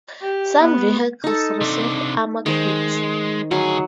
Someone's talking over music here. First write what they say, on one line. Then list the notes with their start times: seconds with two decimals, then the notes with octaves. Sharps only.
Some vehicles received armor kits.
0.22 G4
0.61 B3
1.24 D#4 A4
1.61 C3 D4
2.46 D#3 G#3 C5
3.51 D2 F#3 G#4